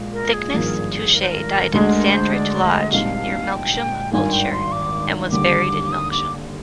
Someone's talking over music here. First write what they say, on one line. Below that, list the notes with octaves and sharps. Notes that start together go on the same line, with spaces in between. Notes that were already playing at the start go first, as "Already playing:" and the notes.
Thicknesse-Touchet died in Sandridge Lodge, near Melksham, Wiltshire and was buried in Melksham.
Already playing: A#2 G#3
A#4
G#4
G#1 G2 F3 A#3
A#4
C5
A#4
D2 D3 G#3 G#4 A#4
A#4
C5
D5
D#5
A#1 G#2 G3 C4 D#4 F5
G5
G#1 G2 D#3 G#5
G5
C6
D6
D#2 D3 G3 D6
D#6
D6